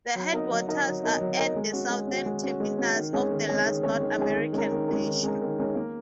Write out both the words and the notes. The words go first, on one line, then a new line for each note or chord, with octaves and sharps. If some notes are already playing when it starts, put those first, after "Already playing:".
The headwaters are at the southern terminus of the last North American glacier.
F#3
D#4 A#4 D#5
F#3
D#4 A#4 D#5
F#3
D#4 A#4 D#5
F#3
D#4 A#4 D#5
G#3
C#4 F#4
G#3
C#4 F#4
G#3
C#4 F#4
G#3
C#4 F#4
D#3
G#3 C#4 G#4 C#5
D#3
G#3 C#4 G#4 C#5
D#3
G#3 C#4 G#4 C#5
D#3
G#3 C#4 G#4 C#5
D#3
G#3 C#4 A#4
D#3
G#3 C#4 A#4
D#3
G#3 C#4 A#4
D#3
G#3 C#4 A#4
A#3